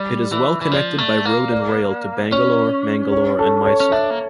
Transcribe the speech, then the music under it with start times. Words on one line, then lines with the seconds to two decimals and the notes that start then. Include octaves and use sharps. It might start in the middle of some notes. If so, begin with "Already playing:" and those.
It is well connected by road and rail to Bangalore, Mangalore and Mysore.
Already playing: G3 D5
0.32 E3
0.62 E3
0.72 F3 D5
0.98 A3
1.25 A#3
1.52 D5
2.32 C#4 C#5
3.12 C#5
3.39 A4
3.65 C#5
3.80 C#4
3.92 D4 E5
4.10 A#3